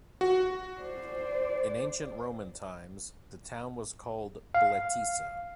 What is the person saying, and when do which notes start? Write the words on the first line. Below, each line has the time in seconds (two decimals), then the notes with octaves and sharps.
In ancient Roman times, the town was called "Bletisa".
0.21 F#4
0.80 C5 D5
4.55 F5